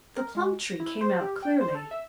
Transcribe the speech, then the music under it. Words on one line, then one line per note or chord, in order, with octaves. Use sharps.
The plum tree came out clearly.
A#4
G#3
A#6
E4
C5
G4
G5
C5
A4
E5